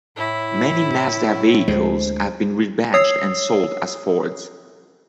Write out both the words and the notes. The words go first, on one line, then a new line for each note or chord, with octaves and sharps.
Many Mazda vehicles have been rebadged and sold as Fords.
A2 E4
D2 G#3 C5
C#5 D#6 E6 C7